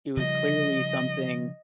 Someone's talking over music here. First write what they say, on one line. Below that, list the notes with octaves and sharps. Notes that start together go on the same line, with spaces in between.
it was clearly something,
C#3 F3 G3 D#5